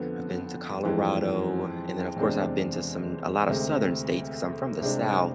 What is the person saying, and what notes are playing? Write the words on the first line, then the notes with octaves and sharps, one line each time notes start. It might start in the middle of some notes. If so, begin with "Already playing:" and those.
I've been to Colorado, and then, of course, I've been to some a lotta Southern states 'cause I'm from the South.
Already playing: F2 D3 F3 B3
F2 E3 G#3
E2 C3 G#3 D4
D2 C3 G#3
C2 C3 G#3 D4